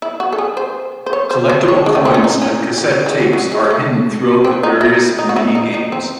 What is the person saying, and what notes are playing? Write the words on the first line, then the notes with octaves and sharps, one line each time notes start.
Collectible coins and cassette tapes are hidden throughout the various minigames.
E4
F#4
A4
G#4
C5
C5
C#5
C5
C5
C#5
G#3
A3
C4
C#4
D#4
C#4
C#4
G#3
F#3
F#3
G#3
G#3
A3
C4
D#4
E4
D#4
F#4
E4
D#4
D#4
C4